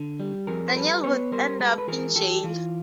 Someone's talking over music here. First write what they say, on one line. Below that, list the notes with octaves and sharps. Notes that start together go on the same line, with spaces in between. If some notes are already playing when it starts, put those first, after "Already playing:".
Daniel would end up in jail.
Already playing: D3
G3
F2 G#4 A#4
C5
G3 A4 B4
B3 B4 C#5
G3 A#4 C5
G#3 A4 B4
B4
E3 G#4 A#4
E3 G4 A4
E3 F4